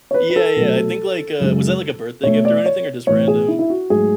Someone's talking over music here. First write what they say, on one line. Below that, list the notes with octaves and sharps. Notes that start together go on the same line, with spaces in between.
Eh Yeah, yeah, I think, like, uh, was that, like, a birthday gift or anything or just random?
C#5
B4
B4
A4
B2 F#3 A3
F#2 C#3 G#3
B2 A3 C#5
D5
C#5
A2 E3 A3 C#5
G#4
E4
E4
F#4
G#2 F#3 A3 G#4